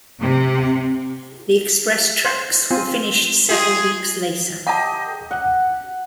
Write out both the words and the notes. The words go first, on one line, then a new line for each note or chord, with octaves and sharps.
The express tracks were finished several weeks later.
C3
C5
C4 F4 G#5
F4 G4 G#4 G5
G4 D#5 F#5 A5
F#5